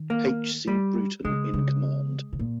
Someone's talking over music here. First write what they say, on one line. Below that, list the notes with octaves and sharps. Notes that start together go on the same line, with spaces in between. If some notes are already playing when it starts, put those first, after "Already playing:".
H. C. Bruton in command.
Already playing: D#3
A#3
G3
C#3 G#3
C#3
C3
A#2